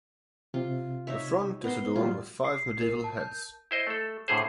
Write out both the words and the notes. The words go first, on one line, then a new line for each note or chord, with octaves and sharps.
The front is adorned with five medieval heads.
C3 F4
D#4 C#5 E5
B3 A#4 C6
A#2 F#3 G3 F4
C7
A#4
A5
G6
E4 C5 D#5
A3 A4
A2 D3 G#4 C5